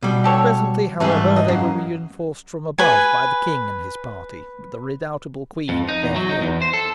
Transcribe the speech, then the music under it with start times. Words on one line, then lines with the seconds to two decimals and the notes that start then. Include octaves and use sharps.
Presently, however, they were reinforced from above by the king and his party, with the redoubtable queen at their head.
0.03 B2 G3
0.24 G4 A4 C#5
1.00 G#2 E3 G3 A3 G#4
1.36 D#5
1.48 F#2 F#3 A#3
2.78 B4 G#5
5.69 F2
5.89 D#4
6.03 E2
6.16 F#3
6.29 D#4
6.41 E2
6.62 C5
6.74 A4